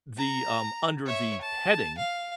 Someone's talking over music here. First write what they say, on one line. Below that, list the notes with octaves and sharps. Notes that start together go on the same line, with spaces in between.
the um, under the heading
A#5
C#5 E5
A5
F5